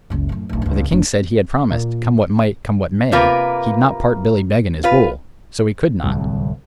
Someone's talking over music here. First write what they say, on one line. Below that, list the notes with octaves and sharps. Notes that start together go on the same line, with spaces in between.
But the king said he had promised, come what might, come what may, he'd not part Billy Beg and his bull, so he could not.
F#1 C#2
F#2 A2
D1 B1
C#2 G2
F1 D4
A#2
C3 A#3 F4 A#4 B4
F4 B4
D1 C2 F2